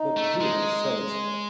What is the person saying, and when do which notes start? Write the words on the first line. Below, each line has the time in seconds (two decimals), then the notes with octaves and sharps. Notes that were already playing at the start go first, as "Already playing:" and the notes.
But Veer saves her.
Already playing: D#4
0.17 A3
0.41 G#3